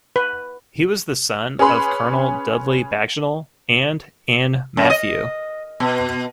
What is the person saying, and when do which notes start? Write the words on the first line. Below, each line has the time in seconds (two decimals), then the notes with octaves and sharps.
He was the son of Colonel Dudley Bagenal and Ann Matthew.
0.16 B4
1.59 C#4 G#4 B4 B5 C6
4.77 F#2
4.90 D#5
5.80 B2